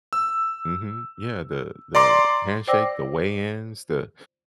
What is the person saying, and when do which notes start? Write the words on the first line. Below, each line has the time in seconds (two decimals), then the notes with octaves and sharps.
mhm, yeah, the the handshake, the weigh-ins, the
0.13 E6
1.95 D5 A#5 C6 D6
2.67 C5 D5 G5 D6 E6 A#6